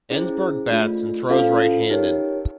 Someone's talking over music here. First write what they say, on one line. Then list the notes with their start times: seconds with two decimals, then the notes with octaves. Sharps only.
Ensberg bats and throws right-handed.
0.10 C#4 E4 G#4 C5
0.70 A3 D4 F4
1.29 C#4 F4 A4 C5 F5
1.90 D#4 G4 A#4 C#5